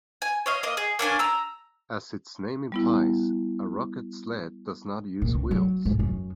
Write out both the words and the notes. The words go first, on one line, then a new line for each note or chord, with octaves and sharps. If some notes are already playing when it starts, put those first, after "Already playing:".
As its name implies, a rocket sled does not use wheels.
G#5
C#5 D#5 F5
A#3 D#5
G#4
A#3 C#4 D4 G#5
A#5 E6
G3 B3 E4
A#2
C#2
F#3
G#2
F#2